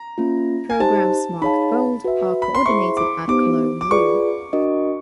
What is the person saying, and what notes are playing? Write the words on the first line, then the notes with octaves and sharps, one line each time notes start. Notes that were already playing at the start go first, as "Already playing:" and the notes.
Programmes marked bold are coordinated at Cologne Zoo.
Already playing: A#5
A#3 C#4 F4
G#5
D#4 G4 C5 D#5 A5
D#4 G#4 C#5 F5 A5 B5
F#4 B4 E5
B5
C6
E4 G#4 C5 E5 C#6
D6
B3 D#4 G4 C5 D6
D6
F4 G#4 B4 D5 C#6
D4 F#4 A#4 D#5